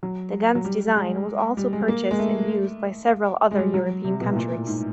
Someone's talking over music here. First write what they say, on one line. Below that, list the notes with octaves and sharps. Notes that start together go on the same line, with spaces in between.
The gun's design was also purchased and used by several other European countries.
F#3
F#3
G3
G#3
G3
G#3
A#3
G#3
A3
G#3
G3
F#3
C3
B2
A2
A#2
A2
G#2